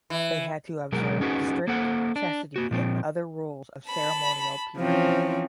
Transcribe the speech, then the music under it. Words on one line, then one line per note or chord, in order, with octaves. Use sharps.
They had to observe strict chastity and other rules of ceremonial purity.
E3
B2 F#3 G#3 A#4
C#4 D#4 F#4 G#4 B4
A#3 A4 C5 F#5
D4
A#3 F#4
A#2 F3 C4
A5 B5
E3 F3 C4 C#4